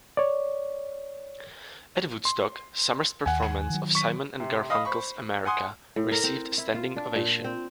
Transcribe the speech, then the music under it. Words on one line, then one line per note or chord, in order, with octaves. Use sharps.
At Woodstock, Sommer's performance of Simon and Garfunkel's "America" received a standing ovation.
C#5 D5
C6
D#2 F#5 G#5
D#3 F#3
C#6 B6
C3
D#5 F5 B5 D#6
C5 B5 C#6
F#5 G#5 C6 D#6
A2
A#4
C4
E4
F4
D4
A#2
C4